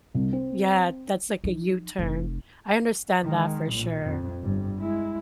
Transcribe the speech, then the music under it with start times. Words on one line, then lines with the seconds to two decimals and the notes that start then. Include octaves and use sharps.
yeah, that's, like, a U-turn. I understand that for sure.
0.14 C2
0.33 C4
1.44 F3 D#4
1.99 F1
3.24 D#3 G#3
3.71 A#1 A#2
4.05 F2
4.41 G1 G2
4.79 G#3 E4